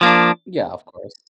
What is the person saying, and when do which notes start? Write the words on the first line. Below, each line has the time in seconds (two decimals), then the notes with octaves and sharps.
Yeah, of course.
0.01 F3 A#3 D4